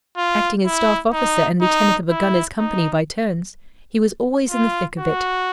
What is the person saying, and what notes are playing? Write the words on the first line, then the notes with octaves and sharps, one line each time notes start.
Acting as staff officer and lieutenant of a gunners' company by turns, he was always in the thick of it.
F4
E4
D#4
D#4
E4
D#4
F4
F#4